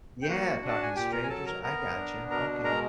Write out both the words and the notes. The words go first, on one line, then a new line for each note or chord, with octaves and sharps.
Yeah, talking to strangers. I gotcha, okay.
G5
A#3 F#4 F#5
D4
A5
G#5
A#2 G4 G5
A#4 A#5
G#5
F#3 A4 A5
A#4 A#5
B3 A#4 A#5
D4
B2 A#4 A#5
G#3 A#4 A#5